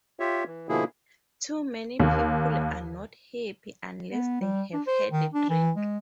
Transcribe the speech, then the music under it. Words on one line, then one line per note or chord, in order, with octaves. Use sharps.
Too many people are not happy unless they have had a drink.
F4 G4 C#5 E5
E3
B2 D3 F3 A#3 E4 G#4
D#2
B3
G3
D4
C5
D#3
D4
E3
G#3